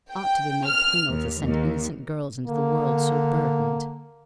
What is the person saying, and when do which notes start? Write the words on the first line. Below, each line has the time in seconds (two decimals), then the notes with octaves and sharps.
It ought to be made penal to send innocent girls into the world so burdened.'
0.13 G5
0.67 F6
1.10 D#2
1.44 D#2
2.47 D3 A#3